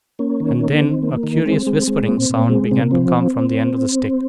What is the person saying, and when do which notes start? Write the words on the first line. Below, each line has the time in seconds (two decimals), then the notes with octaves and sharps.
And then, a curious whispering sound began to come from the end of the stick.
0.19 A#3 C#4
0.40 D#3
0.61 A#3
0.71 A#3
0.82 D#3 C4
1.03 A#3
1.14 A#3
1.23 D#3
1.45 G#3 C4
1.67 G#3
1.87 G#3
2.08 A#2 C4
2.30 A#2
2.49 G#3
2.71 C3 C4
2.82 A#3
2.91 F3 C4